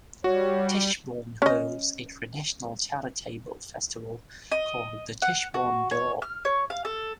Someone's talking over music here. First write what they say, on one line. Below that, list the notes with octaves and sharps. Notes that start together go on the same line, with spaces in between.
Tichborne holds a traditional charitable festival called the Tichborne Dole.
G3 F#4 C#5
C#4 D#5
D#5
F#5
F#4
C#5
F6
C#5
F5
A4